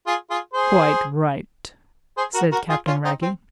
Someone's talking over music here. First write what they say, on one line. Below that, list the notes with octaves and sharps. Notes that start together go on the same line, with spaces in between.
"Quite right!" said Captain Wragge.
F4 G#4
F4 G#4
G#4 C5
G#4 C5
F#4 A#4
F#4 A#4
F4 G#4
C#4 F4
C4 D#4
C4